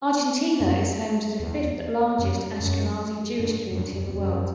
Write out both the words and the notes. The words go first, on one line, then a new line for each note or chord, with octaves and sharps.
Argentina is home to the fifth largest Ashkenazi Jewish community in the world.
F#2
E2
F#2
F#2
G2
F#2
G2
F#2
E2
F#2